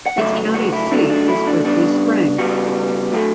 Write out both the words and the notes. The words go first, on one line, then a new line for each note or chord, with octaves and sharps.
Its county seat is Berkeley Springs.
F#5
C#3 F#3 A3 E5
F#4
E4
C#3 F#3 A3 D4
D4
E4
D4
C#3 G3 B3 D4
C#3 G3 B3 F#4
A2 F#3 A3